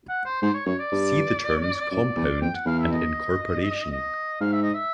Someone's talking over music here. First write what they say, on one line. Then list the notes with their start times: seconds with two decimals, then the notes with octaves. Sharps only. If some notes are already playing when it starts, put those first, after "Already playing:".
See the terms 'compund' and 'incorporation'.
0.09 F#5
0.25 C5
0.42 G#2 C5
0.54 C#5
0.66 F#2 C#5
0.79 D5
0.92 G2
1.91 F#2 D5
2.16 E2
2.41 F2 G5
2.54 F#5
2.66 E2 F5
2.79 E5
2.91 D#5
3.91 D#5
4.41 G#2 F5
4.52 E5
4.63 D#5
4.74 E5